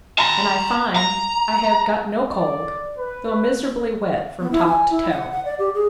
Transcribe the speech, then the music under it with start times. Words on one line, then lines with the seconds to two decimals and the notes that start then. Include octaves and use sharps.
And I find I have got no cold, though miserably wet from top to toe.
0.18 A5 A#5
0.96 A#5
2.30 D5
2.98 B4
4.40 B3
4.51 E4
4.67 G#5
4.90 E4
5.10 F#5
5.31 F#5
5.45 D5
5.59 G4
5.75 G#4